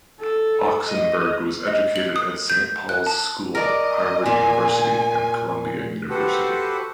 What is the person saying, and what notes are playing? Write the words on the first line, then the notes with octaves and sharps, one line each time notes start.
Oxenberg was educated at Saint Paul's School, Harvard University, and Columbia University.
A4
D#5
D#5
F#7
D#6
G6
F#6
A5
A#4 D5 D#5
A#2 G#5
F#4 G4 A4 B4 C5 F#5